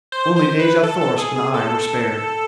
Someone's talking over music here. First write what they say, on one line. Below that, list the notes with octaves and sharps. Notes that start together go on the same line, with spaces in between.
Only Dejah Thoris and I were spared.
C5
C5
B4
A4
A4
G#4
G#4
A4